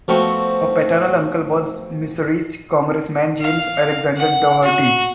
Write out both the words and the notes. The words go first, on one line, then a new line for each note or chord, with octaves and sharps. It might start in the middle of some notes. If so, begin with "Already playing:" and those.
Her paternal uncle was Missouri Congressman James Alexander Daugherty.
F3 A3 B3 C4 F#4
F5
F#5
F#4